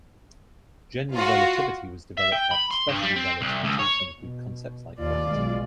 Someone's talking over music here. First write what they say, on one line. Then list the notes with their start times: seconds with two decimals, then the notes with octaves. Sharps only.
General relativity was developed after special relativity to include concepts like gravity.
1.13 F4 F#4
2.17 E5
2.32 G5
2.51 B5
2.71 C6
2.89 G2
3.03 G3
3.16 C4
3.41 C2
3.64 C#2
3.79 C#5
4.20 B2
4.99 D#2 F4 D5
5.29 B1 G#3